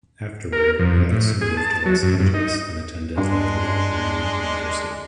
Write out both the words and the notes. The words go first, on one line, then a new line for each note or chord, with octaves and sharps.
Afterward, Madison moved to Los Angeles and attended Loyola Marymount University.
A#4
F2
A2
G#4
A5
F#3
F#2
G2
D#4
G2 G#3 D4 C6